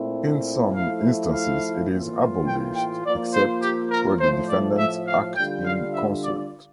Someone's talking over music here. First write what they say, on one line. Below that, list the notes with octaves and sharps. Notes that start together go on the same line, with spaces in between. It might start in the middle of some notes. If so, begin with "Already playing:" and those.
In some instances it is abolished except where the defendants "act in concert".
Already playing: A#2 A3 C4 E4
F3 A3 E4 F5
F5
A2 E3 A#3 F4
G5
G5
F3 A#3 F4 D5
C5
G4
A#4
A2 F3 A3 C5
D5
E5
F5
D3 G3 D4 F4 G5
F5
E5
D5